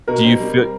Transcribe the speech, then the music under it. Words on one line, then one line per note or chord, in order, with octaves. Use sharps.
Do you fee
B2 A#4
C4
G3